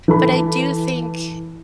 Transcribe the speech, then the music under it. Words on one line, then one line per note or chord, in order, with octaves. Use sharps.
but I do think
E3 A4 B5